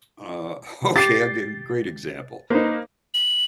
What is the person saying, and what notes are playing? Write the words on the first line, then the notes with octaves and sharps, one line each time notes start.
Uh, okay, I'll give great example.
G4 D6 A6 C7
A#3 D#4 B4 C5
F#7